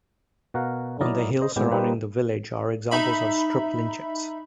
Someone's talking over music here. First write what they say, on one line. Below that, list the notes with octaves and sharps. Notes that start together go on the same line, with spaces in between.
On the hills surrounding the village are examples of strip lynchets.
B2 F#4 A#4 F5 F#5
F#3 D#4 E4 A#4 D5 D#5
C5 D#5
A2 G#3 B3 G4 G5
G3 A#3 D#4 G4 B4 C5
D#4 E5 B5